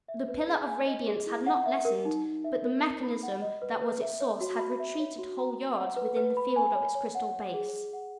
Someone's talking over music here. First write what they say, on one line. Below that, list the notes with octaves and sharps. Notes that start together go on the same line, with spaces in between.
The pillar of radiance had not lessened--but the mechanism that was its source had retreated whole yards within the field of its crystal base.
E5
B4
G#4
G#5
D#5
G#4
E4
F#5
E5
A#4
D#4
D#4
E5
A#4
D#4
B5
F#5
D#5
B4
B4
E5
C#5
F#4
B5
E5
C#5
F#4
A#5
A#5
F#5
B4
B4
B5
G#5
C#5
C#5
F#5
C#5
G#4
G#4
F#5